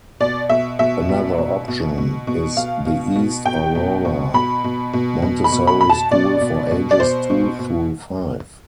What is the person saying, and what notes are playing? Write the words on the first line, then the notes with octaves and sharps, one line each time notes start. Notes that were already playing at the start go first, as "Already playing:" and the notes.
Another option is the East Aurora Montessori School for ages two through five.
B2 D5
B2 E5
B2 E5
B2
B2
B2
B2
B2
B2 F5
B2
B2
B2 G5
B2
B2
B2 B5
B2
B2
B2
B5
B2
B5
B2 B5
A5
B2 D5
B2
B2
D5
B2 C5
B2
B2